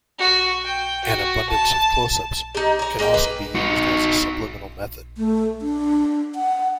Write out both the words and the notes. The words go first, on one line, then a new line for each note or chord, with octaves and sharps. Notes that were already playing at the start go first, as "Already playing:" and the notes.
An abundance of close-ups can also be used as a subliminal method.
F#4
G5
F#4
A5
D#4 G4
G#5 A#5
G#3 A#3 D4 G5
B4
D#4 F#4
A3
D4
F#5